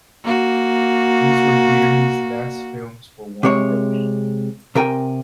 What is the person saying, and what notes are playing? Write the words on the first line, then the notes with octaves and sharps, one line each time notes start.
These were Dieterle's last films for Warner Brothers.
A#3 F#4
C3 G#3 C#5
C3 A#4 G5 G#5